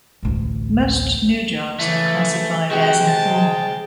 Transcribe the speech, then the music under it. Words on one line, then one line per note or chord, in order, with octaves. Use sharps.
Most new jobs are classified as informal.
A1 D2
C#3 E3 A3
C3 G#3 F#4 G5
A5